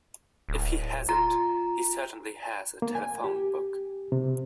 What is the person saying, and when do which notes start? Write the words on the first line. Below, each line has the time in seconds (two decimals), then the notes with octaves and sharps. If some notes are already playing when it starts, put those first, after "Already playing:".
If he hasn't he certainly has a telephone book.
0.49 D1
1.09 F4 A#5
2.82 A#3
2.95 G#5
3.24 G4
4.12 C3